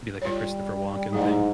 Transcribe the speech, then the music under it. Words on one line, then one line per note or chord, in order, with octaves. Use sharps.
be like a Christopher Walken thing.
G3 F4 C#5
G#2 F#3 A3 E4